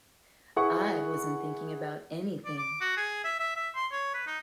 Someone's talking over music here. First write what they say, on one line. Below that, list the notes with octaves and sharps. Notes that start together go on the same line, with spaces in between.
I wasn't thinking about anything.
E4 G#4 B4 F#5 C#6
D5
D6
F#4
G#4
E5
E5
E5
C6
C#5
B4
D#4